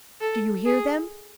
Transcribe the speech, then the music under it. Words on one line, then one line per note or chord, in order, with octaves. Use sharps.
Do you hear them?
A4
G#4